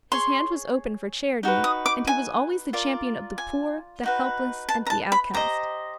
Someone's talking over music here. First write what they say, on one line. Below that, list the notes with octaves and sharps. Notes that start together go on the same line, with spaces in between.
His hand was open for charity, and he was always the champion of the poor, the helpless and the outcast.
G#4 C#5 C6
D#4 F#4 B4
D#6
D6
G#5
F4 A#4 D5
G#5
D#4 F#4 B4
A5
A#5
A5
B5
G4 C5 D#5 A#5